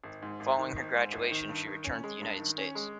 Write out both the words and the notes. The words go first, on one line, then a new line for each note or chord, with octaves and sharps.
Following her graduation, she returned to the United States.
G#1
G#2
G#1
D#3
G#1
G#2
G#1
D#3
G2
D#3
C#4
G#3
G2
D#3
C#4
G#3